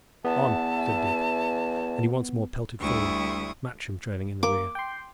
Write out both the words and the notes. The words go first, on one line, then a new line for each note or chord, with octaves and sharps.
"On!" said Dick; and he once more pelted forward, Matcham trailing in the rear.
E2 B3 E5 A5
D2 G3 E4 C#6 D#6
A#3 D6
G5 C6